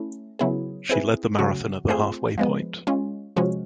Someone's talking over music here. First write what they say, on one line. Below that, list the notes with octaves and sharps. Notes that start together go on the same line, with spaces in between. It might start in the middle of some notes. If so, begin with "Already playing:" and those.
She led the marathon at the halfway point.
Already playing: A3 C#4 E4
C#3 F#3 B3 E4 G#4
C4 E4 G#4 B4
C#3 F#3 A3 C#4 F#4
A3 C4 F4 G#4 C5
F3 G#3 B3
G#3 C#4 F4
C3 F3 G#3 C#4 F#4